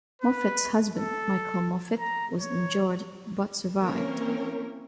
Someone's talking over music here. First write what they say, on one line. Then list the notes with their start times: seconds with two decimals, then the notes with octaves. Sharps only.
Moffit's husband, Michael Moffitt, was injured but survived.
0.22 B4
0.96 A4
1.99 A#5
2.40 C#5
3.80 E3 A#3 C4 C#4 A#4 C#5